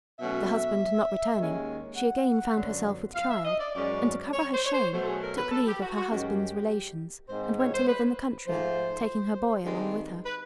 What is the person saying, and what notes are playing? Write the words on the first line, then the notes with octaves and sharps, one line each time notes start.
The husband not returning, she again found herself with child, and to cover her shame, took leave of her husband's relations, and went to live in the country, taking her boy along with her.
B2 F#3 A3 C#4 E5
D#2 D#3 G#3 C#4
F#5
F#2 D3 F#3 B3
F5
E5
D#5
D5
F#2 D#3 G#3 C#4 D5
C#5
C5
C#5
C5
B2 F#3 A3 C5
A4
G#4
A#4
B4
A4
G4
F#4
F#4
F#2 D#3 G#3 C#4 G4
G#2 D#3 G#3 C4 C5
C5
C#5
C5
B4
G#2 F3 A3 C5
G2 D#3 G#3 C4
B4